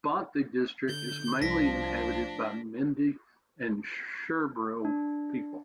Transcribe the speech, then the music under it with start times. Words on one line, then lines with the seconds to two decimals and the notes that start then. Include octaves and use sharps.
Bonthe District is mainly inhabited by the Mende and Sherbro people.
0.89 D3 G6
1.42 C2 F3 D4 A#6 B6
4.85 D4